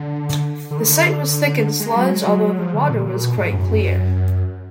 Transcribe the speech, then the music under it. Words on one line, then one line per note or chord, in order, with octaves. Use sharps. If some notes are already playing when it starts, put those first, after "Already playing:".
The site was thick in sludge, although the water was quite clear.
Already playing: D3
D3
D#3
D3
G#3
F#3
G#3
F#3
F3
D3
A#2
A#2
B2
G#2
F#2
F#2
F#2